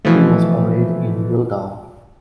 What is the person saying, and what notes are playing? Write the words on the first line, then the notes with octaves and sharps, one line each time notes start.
He was buried in Wildau.
B2 E3 F3 A3